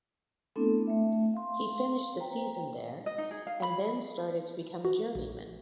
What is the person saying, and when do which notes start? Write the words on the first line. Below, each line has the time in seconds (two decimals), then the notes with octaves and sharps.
He finished the season there, and then started to become a journeyman.
0.56 A3 B3 C4 D4 E4 A4
0.87 A3 E5
1.34 F5 C6
2.20 B4 C5 G5 A#5
3.06 D#5
3.18 D#4
3.31 G#4
3.47 F5
3.62 B5
4.85 F#4
5.15 A#1